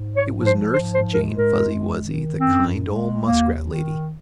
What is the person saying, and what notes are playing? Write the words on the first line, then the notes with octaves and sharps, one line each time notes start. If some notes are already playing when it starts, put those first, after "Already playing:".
It was Nurse Jane Fuzzy-Wuzzy, the kind old muskrat lady.
Already playing: G#2
C#5
F3
C5
G#2 C5
C5
G#3 A#4
A#4
F#2
D#3
F#2 C4
G#3
D#2 A#3
D#3